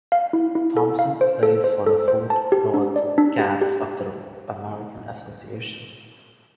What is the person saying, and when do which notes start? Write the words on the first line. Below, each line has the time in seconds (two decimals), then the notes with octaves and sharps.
Thompson played for the Fort Worth Cats of the American Association.
0.12 F5
0.33 E4
0.55 E4
0.77 A4
0.99 F5
1.21 C5
1.43 A4
1.64 C5
1.86 A4
2.08 C5
2.30 A5
2.52 G4
2.74 D4
2.96 D5
3.18 D4
3.39 G4
3.61 G4